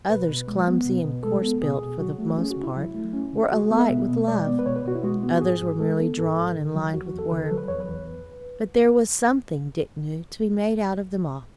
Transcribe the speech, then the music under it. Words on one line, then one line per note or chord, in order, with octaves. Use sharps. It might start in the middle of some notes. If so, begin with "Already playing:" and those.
Others, clumsy and coarse-built for the most part, were alight with love; others were merely drawn and lined with work; but there was something, Dick knew, to be made out of them all.
B2 B4
B2
G#3
B3
B2
B2
G#3 A4
B3
B2 G#4
B2
F#3 F#4
A3
C#4 G#4
F#4
C#3
E4
F#3
A3
C#4
C#3
G#3 F#4
G#4
B3 A4
E5
B2
B2
G#3 D5
B3
B4
B2 C#5
B4
B2 F#4
E4
G#3 F#4
B3
F#4
G#2 G#4
G#2
G#3 A4
B3
G#2 A4
G#2
D3
F#3
E2 F#4
F#4
E2
A4
D3 B4
A4
F#3
B4
E2 C#5
B4
E2